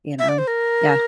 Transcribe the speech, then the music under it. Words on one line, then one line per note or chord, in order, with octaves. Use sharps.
you know? Yeah.
E5
D5
C5
A#4